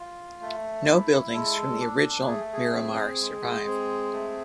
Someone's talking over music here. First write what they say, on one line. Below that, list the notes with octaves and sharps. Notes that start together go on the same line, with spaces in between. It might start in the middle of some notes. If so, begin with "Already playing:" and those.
No buildings from the original Miramar survive.
Already playing: F4
A3
E4
G#3 A4
D4
A3 G#4
G#4
C4
G#3
C4
A3